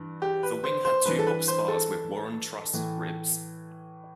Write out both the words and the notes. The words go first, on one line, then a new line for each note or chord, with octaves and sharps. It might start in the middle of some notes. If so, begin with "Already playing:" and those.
The wing had two box spars with Warren truss ribs.
Already playing: G2 E3
G4
B4
C5
C5
G2 E3 B4
A4
B4
C5
A4
A2 E3